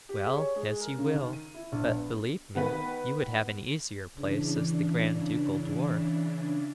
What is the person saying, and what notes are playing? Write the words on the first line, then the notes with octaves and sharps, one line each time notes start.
'Well, as you will; but believe me, you would have an easier place as the grand ducal dwarf.'
G4
G#4
C#5
G#3
A#4
C#3
D#3
D#7
E4
A#1
B3
D#3 B3 B4 B6
C#3 E3 D4